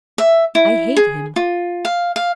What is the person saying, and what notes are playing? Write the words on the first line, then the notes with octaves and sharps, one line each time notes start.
"I hate him!"
E5
E4
G#4
F4
F5
F5